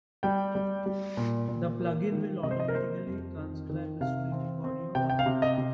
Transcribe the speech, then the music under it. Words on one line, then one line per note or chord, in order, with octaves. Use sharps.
The plug-in will automatically transcribe the streaming audio or video feed.
G3 G5
G3
G3
A#2
A#2
A#3
D#3
C3 D#5
C5
D#5
A#4
A#3 C5
F2
D#3
D#3
C3 F5
C4
C4
C3 G5
G5
F5
C3
D#5
C3